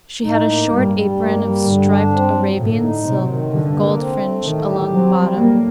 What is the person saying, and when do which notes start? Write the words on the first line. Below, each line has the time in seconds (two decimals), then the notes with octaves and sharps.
She had a short apron of striped Arabian silk with gold fringe along the bottom.
0.22 A2 D#4
0.45 A#3
0.69 G2 G3
0.92 G3
1.15 A#3
1.39 G3
1.61 G2 D3
1.86 D4
2.09 C4
2.32 F#3
2.55 A2 D3
2.78 D#4
3.02 C3 F#3
3.25 D#3
3.48 G2 D3
3.72 A#3
3.96 C4
4.18 A3
4.41 A2 D#3
4.65 G4
4.88 F#3 C4
5.11 G3
5.35 A2 A#3